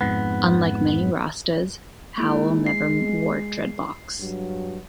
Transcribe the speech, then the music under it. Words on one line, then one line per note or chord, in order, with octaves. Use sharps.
Unlike many Rastas, Howell never wore dreadlocks.
F2 G#2 B3
G#3 A#3 E4
C7
G2 F#3